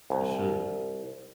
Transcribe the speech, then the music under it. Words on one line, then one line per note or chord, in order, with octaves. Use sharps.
For sure.
C2